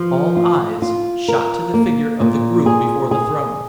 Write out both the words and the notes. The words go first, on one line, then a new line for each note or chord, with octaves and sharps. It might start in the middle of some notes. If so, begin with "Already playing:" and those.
All eyes shot to the figure of the groom before the throne.
Already playing: F3
F4
F4
A#4
A#3
A#2
G#4
G#4